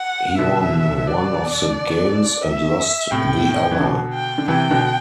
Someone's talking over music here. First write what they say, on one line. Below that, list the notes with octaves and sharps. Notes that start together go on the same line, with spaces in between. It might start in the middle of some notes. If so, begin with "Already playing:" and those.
He won one of the games and lost the other.
Already playing: F#5
B2 D3 E5
D5
E5
A2 C3 G5
E3
B2 D3
G5
D3
C3 E3 G5
B2 D3